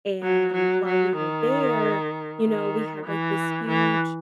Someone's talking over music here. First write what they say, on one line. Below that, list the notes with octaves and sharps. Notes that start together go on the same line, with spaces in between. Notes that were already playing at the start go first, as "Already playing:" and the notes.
and while we were there, you know, we had, like, this huge
F#3
F#3
F#3
D#3
D#3
E3
E3